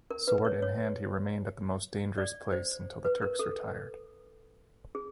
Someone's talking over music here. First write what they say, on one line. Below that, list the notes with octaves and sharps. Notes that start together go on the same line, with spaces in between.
Sword in hand, he remained at the most dangerous place until the Turks retired.
A#4
B4
C#5
C#5
D5
C5
B4
A#4
A4
G#4